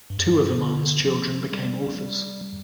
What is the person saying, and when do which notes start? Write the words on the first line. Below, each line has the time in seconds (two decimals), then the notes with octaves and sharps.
Two of Oman's children became authors.
0.10 G2
0.19 F2
0.26 G2
0.58 D3
1.05 F3
1.52 G3
1.99 G3